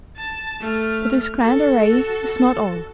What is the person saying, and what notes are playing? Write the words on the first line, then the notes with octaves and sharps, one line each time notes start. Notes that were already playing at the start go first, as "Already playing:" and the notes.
But this grand array is not all.
A5
A3 F6
F#4 A4